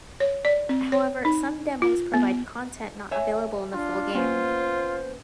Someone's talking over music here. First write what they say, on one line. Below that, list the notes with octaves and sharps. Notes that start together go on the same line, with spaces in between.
However, some demos provide content not available in the full game.
C#5
D5
C4
C#5
D#4
F4
B3
C#5 E5 G#5
D4 F4
A#3 B3 C#4 F4 C5